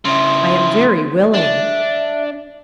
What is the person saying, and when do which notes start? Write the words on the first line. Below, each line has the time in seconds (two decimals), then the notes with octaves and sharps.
"I am very willing."
0.05 C#3 E4 C6
1.34 D4 E5